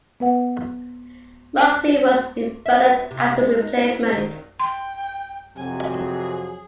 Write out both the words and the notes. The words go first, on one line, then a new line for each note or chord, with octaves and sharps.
Mugsy was developed as a replacement.
B3 B4 F#5
E5
B4
C3
G#3
D#4
E4
D#3
G5 C6
F2 C3 F#3 G#5
G#4